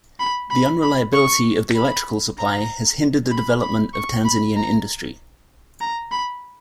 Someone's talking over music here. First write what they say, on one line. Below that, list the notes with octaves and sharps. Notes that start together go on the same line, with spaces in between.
The unreliability of the electrical supply has hindered the development of Tanzanian industry.
B5
B5
B5
C#6
B5
A#5
B5
B5
C#6
B5
A#5
A#5
B5